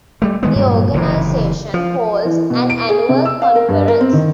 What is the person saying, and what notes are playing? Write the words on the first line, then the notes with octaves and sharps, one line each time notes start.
The organization holds an annual conference.
G3 A3
D#3 G#3 B3
G2 A#2 F#3
F#1 C3 E3
F3
E3
B2
D7
G#4
C3
E6
F5
A#4
G2
A#4
C4
D#3